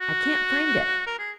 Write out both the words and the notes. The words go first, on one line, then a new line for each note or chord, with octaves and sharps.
I can't find it.
F#4
A#4
G#4